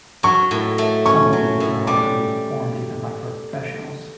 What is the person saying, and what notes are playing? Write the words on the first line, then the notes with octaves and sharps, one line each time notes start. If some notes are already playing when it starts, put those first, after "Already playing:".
Some of the moves are hard to be performed even by professionals.
F#3 C#6
A2
A3
C#4 C#6
F#3
A2
G3 D6